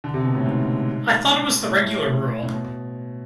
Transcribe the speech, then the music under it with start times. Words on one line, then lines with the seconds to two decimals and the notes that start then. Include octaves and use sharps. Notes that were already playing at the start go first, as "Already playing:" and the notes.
I thought it was the regular rule.
0.04 D3
0.14 C3
0.25 B2
0.35 A2
0.46 G#2
1.70 A2
2.43 A2
2.53 B2